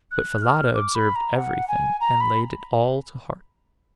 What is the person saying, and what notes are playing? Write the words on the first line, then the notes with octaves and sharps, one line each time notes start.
But Falada observed everything, and laid it all to heart.
F#6
F6
D6
B5
A#5
F#5
G#5
A#5
B5